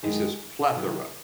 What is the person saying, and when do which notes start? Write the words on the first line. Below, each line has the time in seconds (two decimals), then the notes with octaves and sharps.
He says "Plethora."
0.03 F#2 D#3 G#3 D#4 G#4
0.75 D#3 F#3 B3 E4